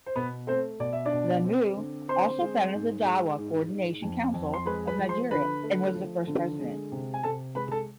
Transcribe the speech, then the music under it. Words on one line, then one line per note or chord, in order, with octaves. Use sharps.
Lemu also founded the Dawah Coordination Council Of Nigeria and was the first President.
C5
B2 B3 B4
A3 C4 C5
B2 D5
E5
D4 D5
B2
C4
D3
C4 C5 C6
G#3
G#2
G#3
G#2
G#2
F2
F2
C6
G#3 B4 B5
B4 B5
F3
C5 C6
D3 B4 B5
A3
F3
D3
G#3
C3
G#5
C3 A4 A5
G#3 B4 B5
A4 A5